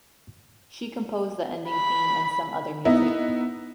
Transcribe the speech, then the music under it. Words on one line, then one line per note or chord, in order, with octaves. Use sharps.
She composed the ending theme and some other music.
B5
B3 D#4 E4